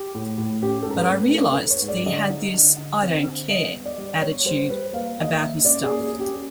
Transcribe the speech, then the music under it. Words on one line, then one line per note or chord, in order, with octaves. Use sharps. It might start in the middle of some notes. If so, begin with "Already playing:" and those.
But I realized he had this I-don't-care attitude about his stuff.
Already playing: G4
A2
A2
C#4 G4
A4
G#2 A#4
B4
A3
C#4 A4
B4
C#4
C#5
G#2
D5
D3 D#5
D#4
D3
D3
C4
D3
G3 D#5
B3
D5
G3
B3 C#5
G3 C5
G3 B4
A#3 F5
A#3 D#5
E5
A#3
C#4 D5
G#4
A#3
G#4
C#4
G4